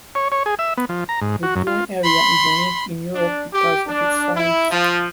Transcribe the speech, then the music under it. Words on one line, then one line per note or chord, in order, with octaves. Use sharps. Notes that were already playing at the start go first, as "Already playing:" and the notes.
The dune area is unique in Europe because of its size.
C#5
C#5
G#4
E5
B3
F3
A#5
G#2
F#4
F#2
F4
B5 C6
D4
G4
D4
E4
F3